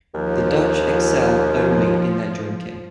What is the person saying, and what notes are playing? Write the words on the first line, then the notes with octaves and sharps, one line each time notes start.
The Dutch excel only in their drinking.
D#2 F3